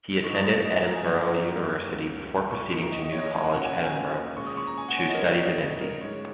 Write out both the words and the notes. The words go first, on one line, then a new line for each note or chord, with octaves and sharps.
He attended Edinburgh University, before proceeding to New College, Edinburgh to study divinity.
F#2 F#3 D#4 C#6
A#5 D#6
C#6
C#6
D#5
G#5
A#5
G#5
F#2 C#3 A#3 F#5
A#5
A#5
C#2 C#3 F#3
C#6
D#2 D#3 A#3 D#4 C#6
A#5
D#5
D#5
C#5
D#5
C#5
C#5
F#5
A#2 F#3 C#4 F#5
G#5
G#5
A#2 G#3 C#4 C#6
D#6
C#6
A#5
G#5
F#5
C#5
D#5
A#4
C#3 F#3 C#4 C#5
D#5
C#5
A#4
G#2 G#3 D#4 C#5